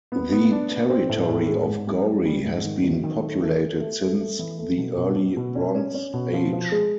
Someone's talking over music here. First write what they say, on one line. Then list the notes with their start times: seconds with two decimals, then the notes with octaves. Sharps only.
The territory of Gori has been populated since the early Bronze Age.
0.12 B3
0.32 B3
0.51 D4
0.71 B3
0.90 C4
1.09 A2
1.28 A2
1.48 G#3
1.68 G#2
1.87 G3
2.06 G3
2.26 G3
2.45 G#2
2.64 D#3
2.84 F#3
3.04 D#3
3.23 A3
3.42 A3
3.62 A3
3.80 A3
4.00 A3
4.20 A3
4.39 E3
4.58 A3
4.78 B2
4.97 B2
5.16 B2
5.37 B2
5.55 C#4
5.75 C#4
5.94 C#4
6.14 B2
6.33 F3
6.53 F3
6.72 G#3